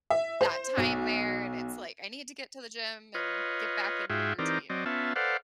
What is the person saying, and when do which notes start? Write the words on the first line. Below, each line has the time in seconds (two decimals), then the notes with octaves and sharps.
that time there and it's, like, I need to get to the gym and get back into the routine.
0.10 E5
0.41 C5
0.77 B1
3.14 F4 B4 C#5 D#5
4.10 G#2 F4 F#4 G#4 E5 G5
4.39 E3 C4 D#4 G4 A#4 D5
4.69 F#3 C4 D5 D#5
4.86 B3 C#4 F4 E5 A5
5.16 A4 B4 C5 D5 F5 F#5